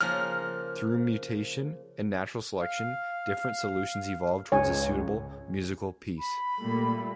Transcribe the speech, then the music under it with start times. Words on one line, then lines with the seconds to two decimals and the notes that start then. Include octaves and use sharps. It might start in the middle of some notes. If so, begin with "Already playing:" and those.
Through mutation and natural selection, different solutions evolve towards a suitable musical piece.
0.01 C#3 F3 A#3 F6
2.61 F5
4.52 C#2 G#2 C#5 G#5
6.19 B5
6.59 A#2 G3 A3